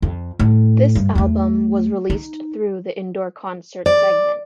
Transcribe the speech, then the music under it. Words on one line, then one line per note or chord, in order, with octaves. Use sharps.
This album was released through the Indoor Concert segment.
F2
A2
G2
E2 A3
D#4
D5